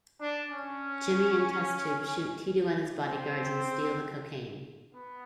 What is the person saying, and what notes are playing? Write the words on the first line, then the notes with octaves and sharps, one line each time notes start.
Jimmy and Test Tube shoot Tito and his bodyguards and steal the cocaine.
D4
C#4
C4
B3